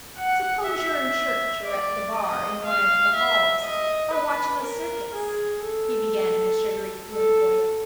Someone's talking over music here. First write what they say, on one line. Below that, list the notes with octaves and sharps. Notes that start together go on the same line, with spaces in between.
"Suppose yer in church or at the bar in one of the halls,--or watchin' a circus," he began in a sugary, fluent voice.
F#5
E5
D5
D#5
F5
E5
D#5
B4
A#4
G#4
A4
A4